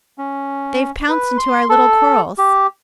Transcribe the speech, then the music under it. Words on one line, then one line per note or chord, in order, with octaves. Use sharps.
They've pounced into our little quarrels....
C#4
B4
C6
A4
G4